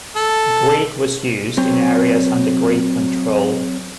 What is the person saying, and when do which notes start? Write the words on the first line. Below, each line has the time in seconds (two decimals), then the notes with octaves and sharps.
Greek was used in areas under Greek control.
0.16 A4
1.57 F#3 C4 C#5 G5